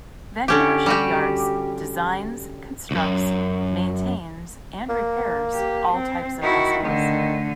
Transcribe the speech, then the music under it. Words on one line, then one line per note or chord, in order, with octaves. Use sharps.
Vancouver Shipyards designs, constructs, maintains, and repairs all types of vessels.
D3 C#4 G4
G3 F#4 G4
C#2 F#2
A#3
G4
C4
D#3 E4 F#4
D3 D#3 A3